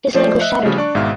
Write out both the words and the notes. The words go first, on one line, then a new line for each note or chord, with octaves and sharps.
His leg was shattered.
F3 A3 C5 D5
D#5 E5 F#6
C#3 F3 G3 A3
D4 D5 C#6
G#1 G#2 B2 E5 F5 F6